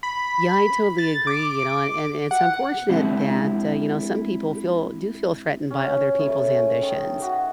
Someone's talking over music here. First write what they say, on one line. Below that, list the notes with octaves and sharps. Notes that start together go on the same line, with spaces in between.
Yeah, I totally agree, you know, and and it's unfortunate that, uh, you know, some people feel do feel threatened by other people's ambitions.
B5
A6
D6
F#5
G#3 C4 D4 E4 G4
C#4
C#3 A3 G#5 A5
D#3
F#4